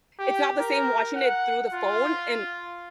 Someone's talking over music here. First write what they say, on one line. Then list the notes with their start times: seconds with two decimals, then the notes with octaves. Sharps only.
it's not the same watching it through the phone and
0.19 G4
0.59 A#4
1.16 F#5
1.73 F4